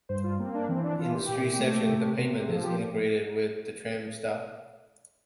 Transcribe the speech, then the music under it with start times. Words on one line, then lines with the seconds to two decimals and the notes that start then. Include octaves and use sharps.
In street sections, the pavement is integrated with the tram stop.
0.09 G2 C5
0.24 F4
0.39 A#3 C4
0.55 D4
0.69 E3 C4
0.84 D4
0.99 E3 F4
1.14 G4
1.28 A#2
1.59 A3
1.88 C3
2.18 C3
2.47 F3 A4
2.63 G4